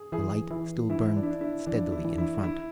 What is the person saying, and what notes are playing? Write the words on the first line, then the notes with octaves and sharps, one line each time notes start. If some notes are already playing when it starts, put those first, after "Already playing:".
The light still burned steadily in front.
Already playing: G#4
E3 G#4
E3
E3 E4
D4
E4
D4
E4
E3 D4
F3
E3
E4
E3
E4
E4